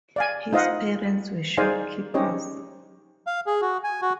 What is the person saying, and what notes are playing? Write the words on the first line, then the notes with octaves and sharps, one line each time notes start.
His parents were shopkeepers.
D5 F5 G#5
D#4 F4 C5 D#5 F5 F#5
D#4 G#4 C5 D5 F5 G#5
C#4 D#4 G4 C5 C#5 D#5
F5
G#4
F#4
G#5
F#4